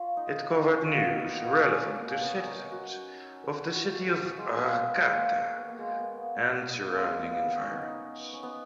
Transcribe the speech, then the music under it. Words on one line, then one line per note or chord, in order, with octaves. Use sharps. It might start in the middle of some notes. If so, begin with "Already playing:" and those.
It covered news relevant to citizens of the City of Arcata and surrounding environs.
Already playing: F4 B4 C#5 D#5
D#4
C#4
D#4
F4
F#4
D#4
B3
A#3
B3
C#4
C#4
C#4
A#3
C#4
B3
A#4
F#4
F#4
F#4
G#4
F#4
G#3
A#3
G#3
B3
A#3
G#3
A#3
B3
A#3
G#3
G#3
A#3 B3
B3
A#3 B3
G#3
G#3
A#3
B3
B3
C#4
D#4
D#4
C#4
B3